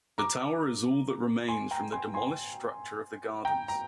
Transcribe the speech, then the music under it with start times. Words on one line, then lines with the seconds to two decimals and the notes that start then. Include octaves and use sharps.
The tower is all that remains from the demolished structure of the Gardens.
0.18 A#5 D6
1.48 G#5 C6
1.71 G5 A#5
1.92 G#5 C6
2.14 G#5 C6
3.45 G5 A#5
3.68 A#5